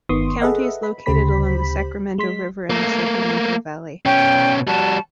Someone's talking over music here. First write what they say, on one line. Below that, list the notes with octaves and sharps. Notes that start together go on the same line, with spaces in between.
The county is located along the Sacramento River in the Sacramento Valley.
G1 D#3 B3 C6 C#6 D#6
G#4 A4 B4 D#5 E5 F#5
B5
D2 C#3 G4 C5 B5 B6
G#3 C6 B6
A3 A#3
B2 C#4 G5
G3 F#4 A5